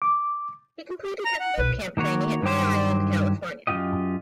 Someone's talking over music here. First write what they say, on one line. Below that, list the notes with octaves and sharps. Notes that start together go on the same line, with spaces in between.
He completed his boot camp training at Mare Island, California.
D6
A#5
F#5
B1 B4
D#3 A#3 F#4 C#5
G2 D#3 F#3 G4 C5
F#2 E3 F4 G4 D#5